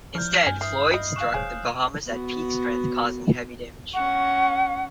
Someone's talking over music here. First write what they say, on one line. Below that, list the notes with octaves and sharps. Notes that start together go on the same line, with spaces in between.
Instead, Floyd struck The Bahamas at peak strength, causing heavy damage.
F3 E4 D5 F6 G6
G2 G#5
E3 D#6 F6 C7
E4 D#5
F5 G#5 C#6 F#6 E7
E1 G#4 C5 C#5 G#5
B3 F#4
C#4 F#5 C#6